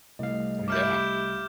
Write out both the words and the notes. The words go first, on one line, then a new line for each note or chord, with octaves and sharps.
Oh yeah.
C2 A3 D#5 F5
E4 G4 D6 F6 G6